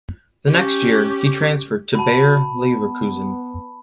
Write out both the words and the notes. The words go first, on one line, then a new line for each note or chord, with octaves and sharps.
The next year, he transferred to Bayer Leverkusen.
C#4 G4
F#4 A5 B5
B3